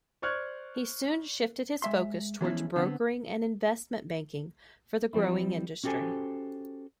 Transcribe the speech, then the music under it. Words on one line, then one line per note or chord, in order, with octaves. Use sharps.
He soon shifted his focus towards brokering and investment banking for the growing industry.
C5 D5 C#6 F6 F#6 G#6
G#3 E5 C6
E3 F3 G#3 B3 C#4 E4
D3 B3 C4
F3 G3 C4 E4
C#4 F#4 G4 A4 C5 G#5